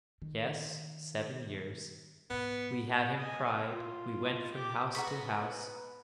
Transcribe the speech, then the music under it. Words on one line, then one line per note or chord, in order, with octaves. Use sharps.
'Yes, seven years: we had him cried--we went from house to house.
D#3
G#2 B2 B3
D#5 G#5
F4
G4 D6
B3 F#4 G#4 F#5 A#5 B5 C#6